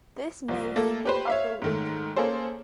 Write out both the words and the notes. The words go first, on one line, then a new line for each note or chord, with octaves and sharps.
This made pick of the week.
C2 F3
A3 A#3 A4
G4 B4 C5
C#5 E5 F5
G#2 D#3 A3
A#3 C#4 G#4 A4 C5